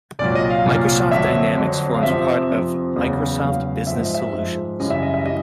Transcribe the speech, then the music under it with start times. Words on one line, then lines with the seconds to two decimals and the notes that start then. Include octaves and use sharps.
Microsoft Dynamics forms part of "Microsoft Business Solutions".
0.19 C2 A#2 F#3 D5
0.35 D#5
0.50 F5
0.66 C2 A#2 F#3
1.11 F2 D3 F#3 E5
1.58 F2 D3 F#3
1.94 F5
2.03 F2 C3 F3 E5
2.50 F2 C3 F3
2.96 E2 C#3 F#3
3.42 E2 C#3 F#3 F5
3.87 F3 E5
3.92 G#2
4.01 D#5
4.15 E5
4.33 G#2 F3
4.79 F#2 C#3 E3 G3 D#5
4.90 E5
5.03 D#5
5.14 E5
5.26 E3 G3 D#5